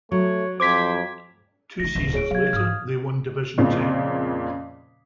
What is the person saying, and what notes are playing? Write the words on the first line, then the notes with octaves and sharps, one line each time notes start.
Two seasons later they won Division Two.
F#3 A3 C#5
F2 C5 D6 G#6 B6
A3 D#4 A#6
D1 E3
G#4 C#5 D7
F#3 F5 G#6
G#2 D#6 F6
F2 A#2 C#3